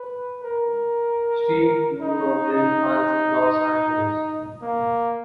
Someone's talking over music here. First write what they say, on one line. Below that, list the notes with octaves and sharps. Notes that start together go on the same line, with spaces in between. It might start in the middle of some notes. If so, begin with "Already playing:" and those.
She grew up in France and Los Angeles.
Already playing: B4
A#4
D#4
D#4
A#3